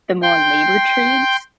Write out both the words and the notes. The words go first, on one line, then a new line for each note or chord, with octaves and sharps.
the more labor trades,
G5 C6